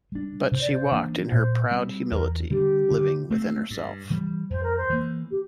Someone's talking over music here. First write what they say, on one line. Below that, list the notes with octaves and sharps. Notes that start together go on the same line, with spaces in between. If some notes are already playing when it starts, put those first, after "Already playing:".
But she walked in her proud humility, living within herself.
G3 D4
C3 C5
D5
C5
E3 A#3 D4
A#2 C5
G3 C4
E2 A#4
D3 G3 D4 G4
D3
A3 C4
G2
E3 G3
F2 C5
A#4
C5
E3 A#3
G4